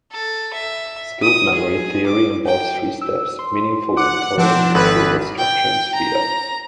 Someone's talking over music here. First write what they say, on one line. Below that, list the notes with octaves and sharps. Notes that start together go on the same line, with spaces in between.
Skilled memory theory involves three steps: meaningful encoding, retrieval structure, and speed-up.
A4
E5
D#6
G#4
D6
G5
E6
C6
F#5 D6
F3 C4 D4 F#5
G#1 A4 B4
G5
A#5